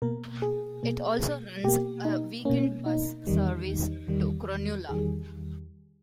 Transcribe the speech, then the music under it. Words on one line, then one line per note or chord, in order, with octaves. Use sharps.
It also runs a weekend bus service to Cronulla.
B2 A#3 A#4
G#4
B2 A#3
B2 A#3 G4
D#4
B2 A#3 C#4
D#4
E2 D#3 G3
E2 D#3 G3
E2 D#3 G3 G#4